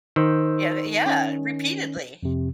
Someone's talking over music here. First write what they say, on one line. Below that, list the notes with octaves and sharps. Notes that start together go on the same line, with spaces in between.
Yeah, th yeah, repeatedly.
D#3 C5 E6
C#4
F2 C3